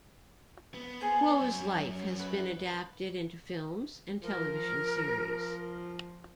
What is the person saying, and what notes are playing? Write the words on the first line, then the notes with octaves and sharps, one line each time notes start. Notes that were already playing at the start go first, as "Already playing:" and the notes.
Huo's life has been adapted into films and television series.
B3
G#4 C5 A5
F#2
B4
F3 A#4